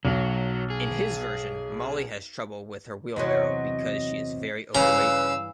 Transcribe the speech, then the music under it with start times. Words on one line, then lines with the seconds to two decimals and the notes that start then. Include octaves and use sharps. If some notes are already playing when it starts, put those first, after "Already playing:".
In his version Molly has trouble with her wheelbarrow because she is very overweight.
0.05 B1 F#3
0.70 G#4
3.16 E2 C3 F#3 D#5
4.75 G2 C#3 E3 G4 B4 F5 A#5 E6